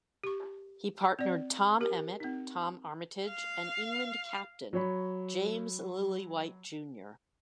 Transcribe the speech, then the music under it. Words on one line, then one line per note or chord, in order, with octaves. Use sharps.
He partnered Tom Emmett, Tom Armitage and England Captain, James Lillywhite, junior.
G4 C#6
C4 D5
G4 A#4
C4 D#4
F5
F#3 C#5 B5